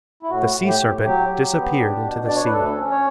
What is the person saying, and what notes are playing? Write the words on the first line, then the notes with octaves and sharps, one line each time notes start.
The sea serpent disappeared into the sea.
E4
A2 F#4
A2
G4
A2
F#3 G4
F#3
B3
D4
B2
D4 D5
C#5
B4
D2 A4
C#4
C#5